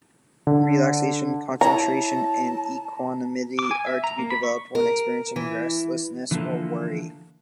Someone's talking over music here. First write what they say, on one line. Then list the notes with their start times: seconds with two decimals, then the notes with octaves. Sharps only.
Relaxation, concentration, and equanimity are to be developed when experiencing restlessness or worry.
0.47 D3
1.61 E4 C#5 A5 A#5
3.59 D6
3.71 G#5
3.87 E5
4.04 A#5
4.19 A#3
4.30 B5
4.43 C#6
4.75 A#4
5.36 E3
6.31 D3 E3 F3 A#3 F4 A4